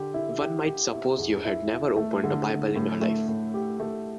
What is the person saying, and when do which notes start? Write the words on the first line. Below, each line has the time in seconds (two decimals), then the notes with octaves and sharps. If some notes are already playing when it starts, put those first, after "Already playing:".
One might suppose you had never opened a Bible in your life.
Already playing: D3 G4
0.14 E4
0.40 G4
0.66 G4
0.93 E4
1.18 E2
1.45 E4
1.71 E4
1.96 A3
2.24 D3
2.49 D3
2.76 A2
3.01 A3
3.28 A2
3.54 G4
3.80 A3